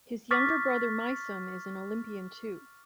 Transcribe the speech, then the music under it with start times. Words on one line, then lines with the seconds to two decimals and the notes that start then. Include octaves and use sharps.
His younger brother Meisam is an Olympian too.
0.31 C#6 D6 F6 A6 B6